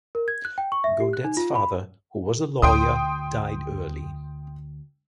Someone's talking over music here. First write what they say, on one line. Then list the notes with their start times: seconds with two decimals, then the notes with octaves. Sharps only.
Godet's father, who was a lawyer, died early.
0.15 A#4
0.28 G#6
0.45 F#6
0.58 G5
0.72 C#6
0.84 E5
1.00 G4
1.13 F#6
1.25 D#4
1.37 F4
1.55 B5
2.62 D2 G5 C6 D#6